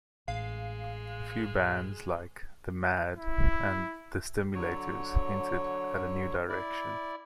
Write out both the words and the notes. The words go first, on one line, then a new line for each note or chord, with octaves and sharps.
A few bands like The Mad and The Stimulators hinted at a new direction.
A1 G#3 F5
E4
D3 F#3 C#5
E4 D5